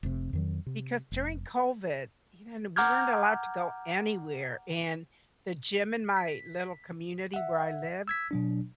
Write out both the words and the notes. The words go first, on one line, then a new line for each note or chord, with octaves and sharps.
because during COVID, you know, we weren't allowed to go anywhere, and the gym in my little community where I lived,
F1 C3
F2 D#3 F#3
C3
F1
F#5 A#5 D6 F6 G6 G#6
B6
E5 F#5
E6 G#6 B6
B2 F#3 D4